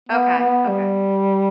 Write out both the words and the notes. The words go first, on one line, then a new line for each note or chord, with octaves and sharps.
Okay, okay.
B3
B3
G3